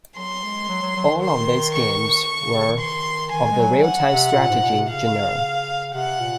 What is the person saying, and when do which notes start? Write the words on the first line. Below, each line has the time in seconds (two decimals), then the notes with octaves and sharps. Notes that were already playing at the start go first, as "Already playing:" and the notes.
All of these games were of the real-time strategy genre.
0.17 F#3 C6
0.43 G#3
0.69 F#3
0.82 F#3
0.96 F#3
1.08 D#3
1.23 C6
1.74 C#6
2.40 C#3
2.53 C#3
2.66 D#3
2.79 C6
3.32 D#3 G#5
3.50 G#3
3.58 F#3
3.84 F#5
4.10 C3
4.32 C3
4.37 A#2
4.50 G#2
4.63 A#2
4.76 C3
4.89 C#3 F5
5.94 C3 F#5
6.20 A#2